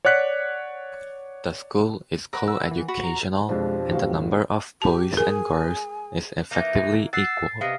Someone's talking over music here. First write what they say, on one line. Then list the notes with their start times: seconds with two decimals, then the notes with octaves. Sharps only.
The school is co-educational and the number of boys and girls is effectively equal.
0.05 C#5 D5 F#5 F#6 B6 C#7
2.33 A#4 F#5 B5
2.48 E6
2.71 E3
2.88 F#4 B5
3.04 A#5
3.49 F2 B2 F3 G#3 D4 G4
3.90 G1 A2 F#4 F5
4.82 G4 A5
5.17 G#4 A#4 G#5
6.51 E3 A#3 D#4
7.13 F#5 E6 A6 C7
7.61 C3 B3 D#5 F5